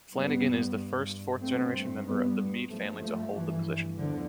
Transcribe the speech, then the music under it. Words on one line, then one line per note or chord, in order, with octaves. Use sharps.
Flanagin is the first fourth-generation member of the Mead family to hold the position.
G2 G3 B3
G2 A3 C4
G3 B3
G2 F3 A3
F3 A3
E3
E2 D3 F3